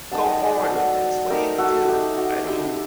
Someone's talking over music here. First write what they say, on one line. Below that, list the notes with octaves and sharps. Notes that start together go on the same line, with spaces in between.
go forward with this? What do you do? I mean,
G3 A#3 D#4 F#5 A5
D#5 G5
D5 F#5
A4 C5
F#3 A3 C4 F#4 A4
A3 C4 D#4 G4 A#4
F#4 A4
A3 D#4 G4
F#4
G4
A3 C4 D#4 G4